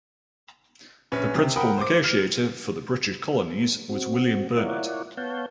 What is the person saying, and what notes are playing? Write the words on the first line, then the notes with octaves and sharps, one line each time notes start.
The principle negotiator for the British colonies was William Burnet.
A#1 C#4 B4
C3
A#4 F#5 G5 B5 D#6
C5 D6
F6
C4 F#4
E4 F4 A#4 C#5 D5 F#5
B3 C#5 F5 F#5 A5 G6